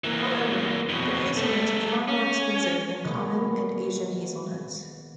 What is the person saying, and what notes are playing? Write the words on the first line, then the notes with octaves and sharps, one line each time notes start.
However, their hazelnuts are far more expensive than common and Asian hazelnuts.
E3 A#3
F2 B2
G3 A3
C#4
B2 D#3 F#3 G#3 A#3 B3